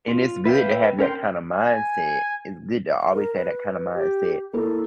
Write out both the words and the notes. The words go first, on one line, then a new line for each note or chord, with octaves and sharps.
And it's good to have that kind of mindset. It's good to always have that kind of mindset.
F4
B4 E5 F5 G5
C#4 A#4 G5 C6
G#5
A#4
B4
G4
A#3 E4 A4 A#4